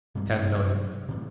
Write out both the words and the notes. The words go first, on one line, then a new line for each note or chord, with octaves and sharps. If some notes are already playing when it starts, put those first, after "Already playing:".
Tad nodded.
G2 C3 F#3 G3
A2 C3 E3 G3